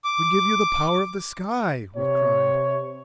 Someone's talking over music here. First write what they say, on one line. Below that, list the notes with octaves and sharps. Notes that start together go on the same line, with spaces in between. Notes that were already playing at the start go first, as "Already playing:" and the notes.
"We give you the power of the sky!" we cried.
D6
C3 C#5